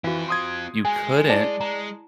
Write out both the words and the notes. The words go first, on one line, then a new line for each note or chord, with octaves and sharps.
you couldn't
E3 C4 F4 F#4 F5
C6 D#6 G#6
G#3 G#5
E4 D5 A5
G#3 A#5